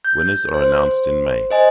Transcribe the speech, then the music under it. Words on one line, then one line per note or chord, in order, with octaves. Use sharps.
Winners are announced in May.
G6
C5
C5 D#5 G#5